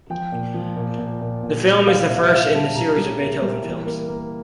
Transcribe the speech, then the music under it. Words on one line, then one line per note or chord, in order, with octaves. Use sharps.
The film is the first in the series of "Beethoven" films.
F3 G5
A#2
F3
A#2
A#2
A#2
A#2
A#2
G3 F5
C3 E5
F5
E5
G3 F5
G3 A5
C3 A#5
G3
A#3
G3
E3
A#3
A#3